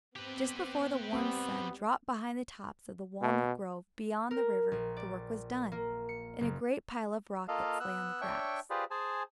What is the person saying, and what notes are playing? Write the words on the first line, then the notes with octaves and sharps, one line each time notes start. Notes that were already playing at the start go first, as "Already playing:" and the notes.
Just before the warm sun dropped behind the tops of the walnut-grove beyond the river the work was done, and a great pile of rockets lay on the grass.
B3 C4 G4 B4
G3 B3 C4
B2
A#4
A#1
D5
A#3
C#7
F#1
A#3 F4 A4 D#5 F5
B3 E6 F#6
D4 C#5 E5 G5 C#6
F4 G4 G#4 B4 C5 D5
G#4 C5 G#5 A5